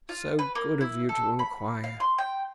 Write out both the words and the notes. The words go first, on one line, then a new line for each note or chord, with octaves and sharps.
So good of you to inquire!
F4
B4
A#3
E4
A4
B5
F5
C6
G5